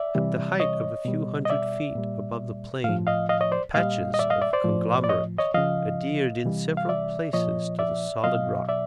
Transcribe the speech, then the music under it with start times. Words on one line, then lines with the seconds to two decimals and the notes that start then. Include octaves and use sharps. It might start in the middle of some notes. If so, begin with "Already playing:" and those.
At the height of a few hundred feet above the plain patches of conglomerate adhered in several places to the solid rock.
Already playing: D5 E5
0.15 C3 E3 G3
0.60 C#5 D#5
1.05 B2 G3
1.45 D#5
1.50 D5 E5
1.95 A#2 G3
2.84 A2 F3 F5
3.07 D#5 F5
3.29 D#5 F5
3.41 C#5 D#5
3.52 C5 D5
3.74 A#2 G3 D#5 F5
4.14 D#5
4.19 D5 E5
4.30 D#5 F5
4.42 D5 E5
4.53 C5 D5
4.64 A2 F3
5.04 D5
5.09 C#5 D#5
5.38 C#5 D#5
5.54 C#3 F3 D#5 F5
6.44 C3 E3 G3
6.77 F5
6.89 D5 E5
7.33 A#2 F3 C#5 D#5
7.79 D5 E5
8.24 B2 F#3 D#5 F5
8.69 D5 E5